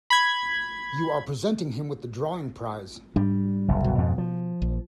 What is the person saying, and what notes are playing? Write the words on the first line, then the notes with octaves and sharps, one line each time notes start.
You are presenting him with the drawing prize.
B5 G#6
G#2 G3 D4
F#1 C2
B2
F2 G#2
F3
A#1